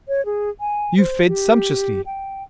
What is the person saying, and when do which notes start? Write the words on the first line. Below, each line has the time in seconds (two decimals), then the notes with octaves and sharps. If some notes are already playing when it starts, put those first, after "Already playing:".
You fed sumptuously.
0.08 C#5
0.25 G#4
0.60 G#5
0.98 C5
1.28 G4
2.06 G5